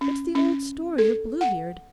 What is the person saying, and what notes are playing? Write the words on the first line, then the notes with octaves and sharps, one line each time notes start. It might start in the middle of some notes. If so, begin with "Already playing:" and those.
It's the old story of Bluebeard.
C#4
C#4
A4
F#5